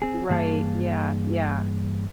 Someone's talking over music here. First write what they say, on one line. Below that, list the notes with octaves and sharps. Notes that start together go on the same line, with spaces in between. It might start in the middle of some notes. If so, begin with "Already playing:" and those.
Right. Yeah. Yeah.
C4 G#4
G2 E3 A#3 G#4 F5 A5